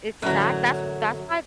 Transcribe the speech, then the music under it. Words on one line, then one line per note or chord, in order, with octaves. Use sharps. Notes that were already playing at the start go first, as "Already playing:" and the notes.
Exact That's that's why
F#2 A2 D3 E3 F#3